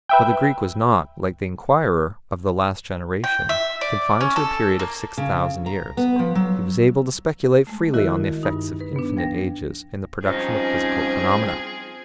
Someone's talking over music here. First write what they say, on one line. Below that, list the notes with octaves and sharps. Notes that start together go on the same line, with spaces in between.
But the Greek was not, like the enquirer of the last generation, confined to a period of six thousand years; he was able to speculate freely on the effects of infinite ages in the production of physical phenomena.
B4 E5 G5
G5
E5
D5
C#4
A4
A#3
C#3
A#5
B3
F3
F#3
G#3 A3
D#3 E4 F#4 A#4 D#5 E5
G2 D#4
B4
B3 D4
F3 G5 A#6
G2 F3 C4 C#4 D#4 F4 G#4